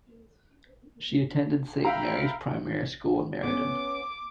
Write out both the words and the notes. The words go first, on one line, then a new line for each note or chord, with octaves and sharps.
She attended Saint Mary's Primary School in Merredin.
E5 F5 G5 A#5 B5 F6
B3 C#4 D6